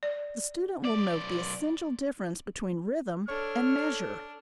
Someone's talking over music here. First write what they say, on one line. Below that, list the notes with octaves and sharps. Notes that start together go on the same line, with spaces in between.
The student will note the essential difference between rhythm and measure.
D5
B1 D5
D4 A4 C#5 F6